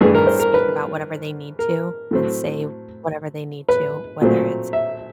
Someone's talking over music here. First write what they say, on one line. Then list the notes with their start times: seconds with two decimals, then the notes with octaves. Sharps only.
and speak about whatever they need to and say whatever they need to, whether it's,
0.01 G2 E3 A3 G#4
0.14 A#4
0.27 C5
0.40 A#4
0.54 B4
1.59 A#4
2.11 A2 F#3 A3 C4
3.69 B4
4.21 A#2 F#3 A3 C4
4.73 E5